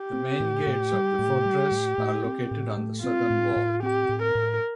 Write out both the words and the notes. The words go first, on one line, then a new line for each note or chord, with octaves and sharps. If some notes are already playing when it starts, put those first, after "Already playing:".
The main gates of the fortress are located on the southern wall.
Already playing: G4
C4
A2
A2
G3
A2
G3
A2
A2
C4
A2
A3
C4 F4
A2
A2
C4 G4
A2
A#4
A2